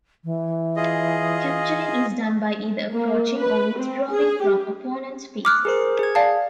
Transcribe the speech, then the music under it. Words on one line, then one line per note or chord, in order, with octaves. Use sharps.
Capturing is done by either approaching or withdrawing from opponent's pieces.
E3
F4 G#4 D#5
A#3
B4
C4
G#4
G4
D6 F6 F#6
G#4 A#4 C5
G#4 G#6
D5 F5 A5